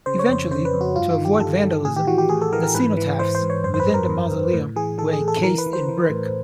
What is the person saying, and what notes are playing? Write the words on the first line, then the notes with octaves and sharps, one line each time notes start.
Eventually, to avoid vandalism, the cenotaphs within the mausoleum were encased in brick.
C#3 C5
C#5
F2 C5
C#3 C5
B4
F2
F#4
G2 F4
F4
D#3
G4
G2 A4
D#3
A2 G#4
G4
E3 F#4
G4
A2 G#4
A4
E3 A#4
A#4
G#2 B4
E3
E3 C5
C5
G#2
C#5
F#2 C5
C5
B4
F#2
A#4
F#2
F#2
A2
E3 G#4
E3 A4
G#4
A2
A4
E3 A#4
B4
E3
C5
E3
A2